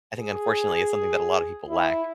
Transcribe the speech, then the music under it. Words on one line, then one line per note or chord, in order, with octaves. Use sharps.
I think unfortunately it's something that a lot of people lack.
G#4
E4